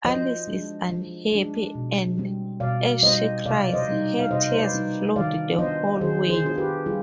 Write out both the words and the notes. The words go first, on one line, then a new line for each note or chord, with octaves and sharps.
Alice is unhappy and, as she cries, her tears flood the hallway.
F3 C5 D#5
G#3 D4
F3
G#3 D4
B2
G3 C4
B2 D5 F5
G3 C4 C5 D#5
C3 D5 F5
D5
C5 D#5
G3 C4 D#4
F5
C3 C5 D#5
C5
B4 D5
G3 C4 D#4
D#3 D5 F5
B3 D4 F4 C5 D#5
D#3 G#4 C5
G#4 C5
B3 D4 F4 C5
G4 B4
G3 F4 G#4